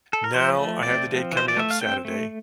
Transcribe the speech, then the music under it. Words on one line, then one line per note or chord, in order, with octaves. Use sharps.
now I have the date coming up Saturday,
A4
A#4
F3 C5
A3
C4 D5
F3
E3 C5
D5
A3 E5
F5
C4 G5
A3